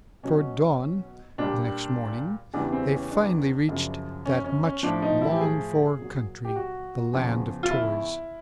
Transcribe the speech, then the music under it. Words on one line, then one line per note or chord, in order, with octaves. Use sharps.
Toward dawn the next morning they finally reached that much-longed-for country, the Land of Toys.
B2 F#3 C#4
A#2 G3 D4
E2 C#3 E3 G3 D4
C4
C#4
D4
F#2 C#3 F3
C#4
C#4
C#4
A2 F3 D4
D#4
E4
G4
G#4
A#2 F#3
G4
F#4
E2 C#3 F3
F4
E4